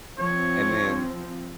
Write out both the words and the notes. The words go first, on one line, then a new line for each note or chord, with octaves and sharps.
and then,
F3 C4 C#5